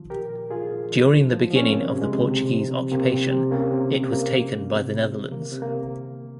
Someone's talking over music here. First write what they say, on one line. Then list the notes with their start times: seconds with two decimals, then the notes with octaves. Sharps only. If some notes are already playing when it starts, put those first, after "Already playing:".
During the beginning of the Portuguese occupation, it was taken by the Netherlands.
Already playing: D#3 F3
0.10 A#2 G4 A#4
0.31 A#2
0.50 A#2 F4 G#4
0.71 A#2
0.91 F3
1.11 F3
1.31 F3
1.51 F3
1.56 C#4
1.64 C4
1.71 C3 A#3
1.91 C3
2.02 G#3
2.11 C3
2.31 C3
2.51 F3
2.71 C3
2.91 C3 A#3
3.12 C3
3.31 C3
3.51 C3 A#3 C#4
3.72 C3
3.91 C3
4.11 C3 A#3
4.32 F3
4.52 C3
4.72 C3
4.92 C3
5.12 C3
5.32 D#3 A#3
5.52 C3
5.62 A#3
5.73 C3